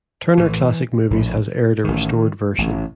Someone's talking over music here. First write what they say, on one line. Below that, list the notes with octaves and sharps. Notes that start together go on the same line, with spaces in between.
Turner Classic Movies has aired a restored version.
A#1 A2 E3
A#1 A2
A1 A2 D#3
A1 A2